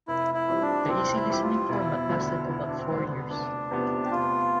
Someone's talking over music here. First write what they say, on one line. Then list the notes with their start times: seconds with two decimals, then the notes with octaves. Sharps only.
The easy listening format lasted about four years.
0.07 F1 E4
0.34 E4
0.48 F2 E3 G3
0.62 D4
0.88 F1 C4
1.15 E4
1.29 F2 E3 G3 G4
1.42 F4
1.69 E1 E4
2.09 D2 D3
2.49 E1 E4
2.67 D4
2.76 C4
2.90 D2 D3
3.03 B3
3.29 F1 D4
3.70 E2 C3 F3 B3
4.04 G4
4.11 F1 F4